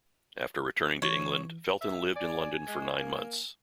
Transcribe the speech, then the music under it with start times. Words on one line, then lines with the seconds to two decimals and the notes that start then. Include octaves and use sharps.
After returning to England, Felton lived in London for nine months.
1.02 E3 C#5
1.81 E5
2.16 D5 G#5
2.68 G#3
3.00 A#3